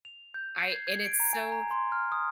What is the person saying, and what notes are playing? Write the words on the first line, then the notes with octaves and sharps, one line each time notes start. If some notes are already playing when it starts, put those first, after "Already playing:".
I and it's so
F7
G6
C7
G#6
G#6
D7
A#5
G#5
A#5
C6
F6
D#6